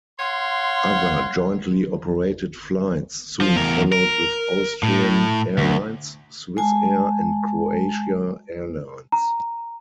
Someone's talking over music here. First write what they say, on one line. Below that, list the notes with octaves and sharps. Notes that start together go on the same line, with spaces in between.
Other jointly operated flights soon followed with Austrian Airlines, Swissair, and Croatia Airlines.
C#5 F5 F#5 C6
F3 F4
E2 A#4
A#4
A2
D2
G#3 G#5 A5
A#5